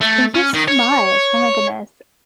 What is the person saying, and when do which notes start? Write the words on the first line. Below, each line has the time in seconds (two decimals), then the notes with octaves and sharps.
Thank you so much. Oh my goodness.
0.01 A3
0.35 C#4
0.54 D#3
0.68 C#5